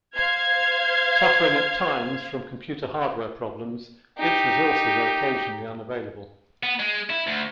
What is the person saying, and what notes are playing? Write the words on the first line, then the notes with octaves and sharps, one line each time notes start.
Suffering at times from computer hardware problems, its resources occasionally are unavailable.
C5 F5 F6 G#6
D#4 G4
B3
G#3
E4
D2